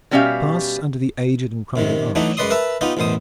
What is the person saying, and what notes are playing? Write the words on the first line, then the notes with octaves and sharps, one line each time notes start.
Pass under the aged and crumbling arch.
B2 G3 C#4 G4 E5 F5
F#2 C3 D#3
E3 F#3 A3 D4 D#4
F#2 G#3 B4 D5 C6 D#6
A#4 B4 E5 A5
B3 D#4 F4 G4
A1 F#2 B2 C5 D#6